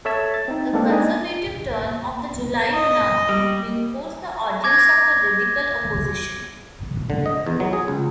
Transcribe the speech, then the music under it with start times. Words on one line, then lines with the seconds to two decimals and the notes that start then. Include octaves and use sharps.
The conservative turn of the July Monarchy reinforced the audience of the radical opposition.
0.05 A4 C#5 E5 A5 E6 G#6
0.34 A6
0.48 C4 D#4
0.73 G#3 A#3 C4 D4 A4
0.89 D4 D#4 D5 D#5 G#5
2.74 D#5
3.29 G3
4.64 D6 G#6 A#6
7.10 D3
7.26 D#5
7.46 E2
7.60 F#3
7.73 G#4
7.88 C#2